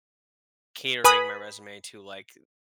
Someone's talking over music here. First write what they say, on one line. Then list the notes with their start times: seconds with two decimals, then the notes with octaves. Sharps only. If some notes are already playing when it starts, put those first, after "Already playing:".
catering my resume to, like,
1.04 B4 G#5 B5 D#6